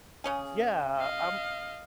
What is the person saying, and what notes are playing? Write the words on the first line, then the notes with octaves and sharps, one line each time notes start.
yeah, I'm
C#3 C#4 G#4
D#5 F5